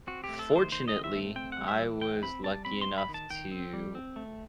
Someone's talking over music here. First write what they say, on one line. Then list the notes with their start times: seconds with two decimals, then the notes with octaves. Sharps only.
fortunately, I was lucky enough to
0.07 C4 F#4
0.24 A3 G4
0.39 A4
0.51 D#3 C5
0.72 D#3 C5
0.88 D#5
0.94 C4
1.04 E5
1.15 A3
1.36 C4 G5
1.52 F#5
1.58 G3
1.68 E5
1.80 E3
2.01 E3 G5
2.22 C4 B5
2.44 G3 A5
2.65 C4 B5
2.81 C6
2.87 G3
2.98 B5
3.09 D#3
3.14 A5
3.30 D#3 G5
3.51 C4
3.73 G3
3.95 C4
4.16 A3